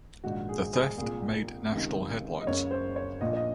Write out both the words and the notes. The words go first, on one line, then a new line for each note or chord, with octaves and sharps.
The theft made national headlines.
A#1 G#2 D#3 F#4
G#4
G#4
C2 A#2 G#4
C#2 C3 D#3
D#5
F#1 F#2 C#3 C#5
C5
C#5
A#1 A#2 D#5
D#5